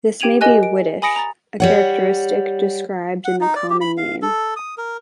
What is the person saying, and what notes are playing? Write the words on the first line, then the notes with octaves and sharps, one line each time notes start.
This may be whitish, a characteristic described in the common name.
G4 G5 G#6 D#7 F7 F#7
G4 A#4 D#5 G#5 F#6
D7
G#5 B5 D#6 A#6 C#7 D7
A#5 A6
G3 C#5 F#5
F#5
D#4
D5
G4
B5
F5
A4
D#6
A#4